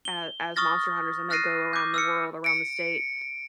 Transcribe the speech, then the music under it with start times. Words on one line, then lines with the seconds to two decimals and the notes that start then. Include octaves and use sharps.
a as monster hunters and they go around the world, around the state
0.05 G7
0.56 C#6 D#6 F6 A6 A#6
1.30 F6 F#6 A6 A#6 C7 D#7
1.73 D6 G6
1.94 E6 F6 C#7
2.44 C#7 D7